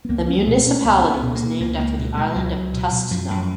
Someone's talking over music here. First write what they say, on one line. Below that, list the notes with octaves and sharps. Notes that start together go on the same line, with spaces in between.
The municipality was named after the island of Tustna.
B3
C#2 A#3
C#2 C#4
A#3
B2 B3
B2 C#4
C#2 B3
C#2
B3
B2
A#3
B2
C#2 A#3
C#2 A#3
B2
B2 G#3
C#2 F#3
C#2
B2
B2
F#2 F3
F#2